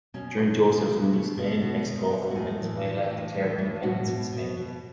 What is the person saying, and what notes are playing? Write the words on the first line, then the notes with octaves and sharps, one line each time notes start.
During Joseph's rule of Spain, Mexico and Venezuela declared independence from Spain.
B2 C#4
B2
B2
B2
B2 A3
B2 G#3
B2 F#4
B2
B2
F#4
A2 G#4
E3
E3
A2
E3
A2
B2 F#4
B2
B2
B2